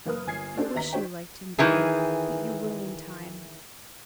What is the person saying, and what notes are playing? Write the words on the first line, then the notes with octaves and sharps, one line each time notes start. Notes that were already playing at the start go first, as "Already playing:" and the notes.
I wish you liked him better!--but you will in time.
F#1 A#3 A#4 B4 D#6 F6
G1 G#5 G#6 C7
C#4 D4 F#4 G4 A4 C5
D#2 B3 E5 A#5 B6
D4 D#4 F#4 C5 C#5 G5
D#3 E3 G#4